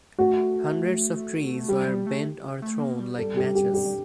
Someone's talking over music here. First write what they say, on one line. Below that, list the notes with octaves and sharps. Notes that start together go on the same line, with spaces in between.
Hundreds of trees were bent or thrown like matches.
A3 F#4
G3 G4
G3
A3
A3
A#3
G3
A4
G4
G4
G4
G3